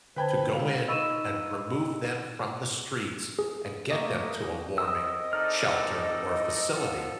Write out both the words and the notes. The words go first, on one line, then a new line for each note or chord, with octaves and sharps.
to go in and remove them from the streets and get them to a warming shelter or a facility"?
D3 B4 C5 G5 A5 B5 G#6
G#3 F4 F7
D#4 D#5 B5 C#6 E6 D#7 E7
G#4
A3 A#3 D#5
E2 C4 A#4 D#5 D#6 E6
D#4 A4 D5 F6
F3 B3 A4